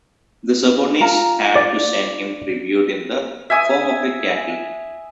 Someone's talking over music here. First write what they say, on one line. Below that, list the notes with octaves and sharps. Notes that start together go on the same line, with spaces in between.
The subordinates had to send him tribute in the form of cattle.
F4 G#5 A#5
D5
E5 G#5 D#6